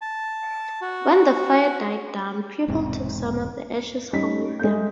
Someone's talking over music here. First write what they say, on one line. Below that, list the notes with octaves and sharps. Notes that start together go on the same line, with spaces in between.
When the fire died down, people took some of the ashes home with them.
A5
F#4
E1 G#2 C3
G3 C#4 D#4 B6
G#3 A3 G6